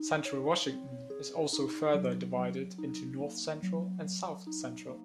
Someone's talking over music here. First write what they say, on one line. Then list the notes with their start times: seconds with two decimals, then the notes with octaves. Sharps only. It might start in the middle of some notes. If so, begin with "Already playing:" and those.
Central Washington is also further divided into North Central and South Central.
Already playing: D#4
0.25 C#5
0.68 C4
1.10 G#4
1.53 D#4
1.94 F#3
2.37 F#3
2.78 D#4
3.20 A#3
3.63 F#3
4.05 F#3
4.47 D#4
4.89 A#3